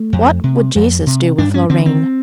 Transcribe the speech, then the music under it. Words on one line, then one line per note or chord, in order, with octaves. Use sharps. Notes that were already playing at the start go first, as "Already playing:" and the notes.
"What would Jesus do with Loreen?"
Already playing: A3
F2
C3
F2
C3
G2 D4
C#4
D3 C4
C4